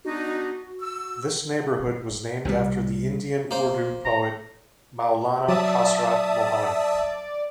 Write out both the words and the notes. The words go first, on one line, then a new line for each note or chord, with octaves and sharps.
This neighbourhood was named after the Indian Urdu poet Maulana Hasrat Mohani.
B3 D4 D#4 F#4
E6
C2 C3 F#3 G3
A#3 C5
A#5
F#3 D5 E5 A5 D#6